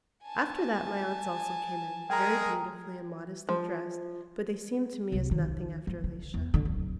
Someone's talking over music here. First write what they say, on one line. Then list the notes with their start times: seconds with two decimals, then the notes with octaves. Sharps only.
After that my aunts also came in, very beautifully and modestly dressed, but they seemed to me as nothing after Alicia.
0.23 G#5 A5
2.10 G#3 G#4 A#4 G5 A#5
3.49 F3
5.12 C2
5.31 D#3
5.87 F3
6.04 D3
6.34 E2
6.54 D3
6.65 D1